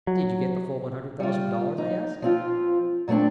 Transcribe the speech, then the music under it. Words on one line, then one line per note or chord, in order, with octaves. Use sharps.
"Did you get the full one hundred thousand dollars?" I asked.
F#3
G3 F4
D#4
F3 C4 F4
A#2 A3 A#3 C4 D4